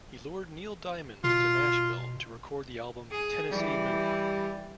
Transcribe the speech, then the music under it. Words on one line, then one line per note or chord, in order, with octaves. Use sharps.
He lured Neil Diamond to Nashville to record the album "Tennessee Moon".
B2 F4
G#4
E3 G3